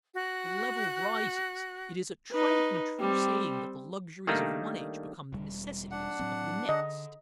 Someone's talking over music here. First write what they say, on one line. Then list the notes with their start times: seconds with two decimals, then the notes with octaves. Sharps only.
The level rises; it is a trite and true saying that the luxuries of one age become the necessities of the next.
0.15 F#4 F#6
2.31 D#4 B4
3.00 G3 C4
4.27 D#3 G3 A3 A#3 D4 D#4
5.33 E1 G3
5.91 D4 F#5
6.19 A2 F#3 C4
6.69 D3 D#5